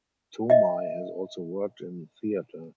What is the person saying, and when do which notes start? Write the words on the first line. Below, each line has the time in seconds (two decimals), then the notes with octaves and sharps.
Tomei has also worked in theater.
0.50 D#5 E5